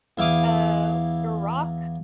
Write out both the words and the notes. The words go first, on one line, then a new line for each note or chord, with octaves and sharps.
Uh, Iraq,
E2 E4 F5 D6 D#6